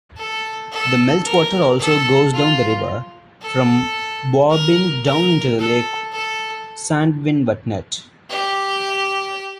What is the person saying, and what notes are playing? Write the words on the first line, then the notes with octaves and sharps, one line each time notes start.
The melt-water also goes down the river from Buarbreen down into the lake Sandvinvatnet.
A4
A4
A#4
A4
F4
A4
A#4
A#4
A4
A4
G4